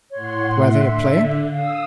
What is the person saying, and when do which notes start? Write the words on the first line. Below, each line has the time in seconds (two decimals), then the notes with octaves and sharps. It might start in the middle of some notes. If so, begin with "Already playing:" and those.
"Where they are playing?"
0.11 A2 C#5 F#5 C6
0.71 D3 E5
1.52 F5 D#6 E6